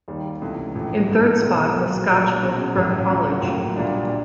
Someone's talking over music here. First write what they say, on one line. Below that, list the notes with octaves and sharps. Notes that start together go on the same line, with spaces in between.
In third spot was Scotch Oakburn College.
D#2 D#3 G3
C#2 C3 E3 A3
A#1 A2 E3 A3
G#2 E3 A3
B1 B2 G#3
B1 A#2 F#3
A#1 A#2 F#3
B2 G#3 C#4 F#4
A1 A2 F#3
D2 C#3 F3
A2 F#3 A#3
C2 A#2 G3 A#3 D4
D4